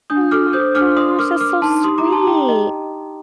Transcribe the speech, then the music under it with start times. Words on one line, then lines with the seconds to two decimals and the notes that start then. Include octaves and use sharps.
Oh my gosh, that's so sweet.
0.10 D4 D#6 G6
0.31 A4 D6 F6
0.53 C5 D#6 G6
0.75 D4 D6 F6
0.96 D5 C6 D#6
1.19 A#4 D6 F6
1.40 A#4 D6 F6
1.62 D#4 A5 C6
1.84 G4 C6 D#6
1.98 A#5 D6
2.06 G4
2.12 A5 C6
2.27 G4 G5 A#5
2.48 G4 D#5